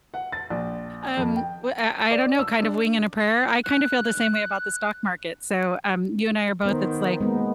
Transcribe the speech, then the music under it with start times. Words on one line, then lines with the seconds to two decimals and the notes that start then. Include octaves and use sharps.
Um, w uh, I i don't know, kind of wing and a prayer, I kind of feel the same way about the stock market, so, um, you and I are both, it's like
0.14 F#5
0.32 A6
0.50 A#1
1.17 F2
1.36 G5
2.11 D5
2.39 E6
2.62 D4
3.64 F#6
6.66 D#3 B3 C5
7.21 G#3 A#3 B3